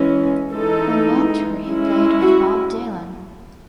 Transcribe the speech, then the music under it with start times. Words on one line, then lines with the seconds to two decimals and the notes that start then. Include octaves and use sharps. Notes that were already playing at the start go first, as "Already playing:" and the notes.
On one tour he played with Bob Dylan.
Already playing: E3 G#3 C#4
0.51 E3 G#3 D#4 A4
1.65 G#3 C#4 E4
2.21 F#4